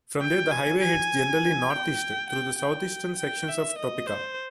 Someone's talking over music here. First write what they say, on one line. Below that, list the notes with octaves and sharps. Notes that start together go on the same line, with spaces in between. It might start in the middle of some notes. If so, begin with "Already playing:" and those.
From there, the highway heads generally northeast through the southeastern sections of Topeka.
G5
G#5
G#5
G5
G5
G5
G5
E5
D#5
C5